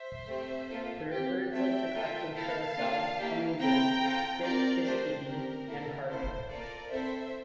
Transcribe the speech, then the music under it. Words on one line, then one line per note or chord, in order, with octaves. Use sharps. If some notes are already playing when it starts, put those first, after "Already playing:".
There are birds like the crested curassow, hummingbird, great kiskadee and cardinal.
Already playing: C5 E5
A3 C4 G4
A#3 F4 A4
G4
C4
A3 C4 G4 E5 G5
A#3 F4 A4
A#3 E4 A4 F5 A5
A#3 D4 F4 A4
A#3 E4 G4
C4 E4 A4 G5 A#5
C4 F4 A4
C4 G4 A#4 D5
A3 D4 G4 C5
C4 G4 A#4
A#3 E4 A4
A#3 E4 A4 C5
A#3 F4 A4 A#4 D5
C4 E4 A4 C5 E5